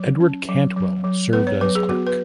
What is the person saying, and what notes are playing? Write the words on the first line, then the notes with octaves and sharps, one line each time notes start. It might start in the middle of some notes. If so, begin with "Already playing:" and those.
Edward Cantwell served as clerk.
Already playing: F#3
C#4
F#3
F#3
F#3
B3 B4
C#5
F#3 B4
G#4
B3 F#4
B4